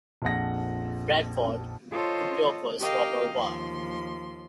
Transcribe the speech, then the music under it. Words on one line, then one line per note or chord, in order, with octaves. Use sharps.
Bradford", "Quercus robur var.
A#1 F2 F#5 A#6
F4 A4 C5 C#5 D#5
G4 A#4 D#5 F5 G5
D#2 F3 C6